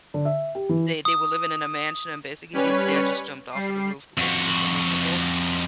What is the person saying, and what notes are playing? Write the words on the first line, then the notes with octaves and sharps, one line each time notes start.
they they were living in a mansion and basically his dad just jumped off of the roof because he was so miserable
D3
E5
G4
E3
D#6
G3 C#4 B4 C#5
G3 C7
F2 F#4